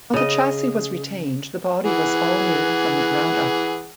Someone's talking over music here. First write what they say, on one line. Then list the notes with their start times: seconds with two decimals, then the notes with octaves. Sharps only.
While the chassis was retained, the body was all-new from the ground up.
0.14 C#3 G#4 D#5
1.85 E3 G#4 F#5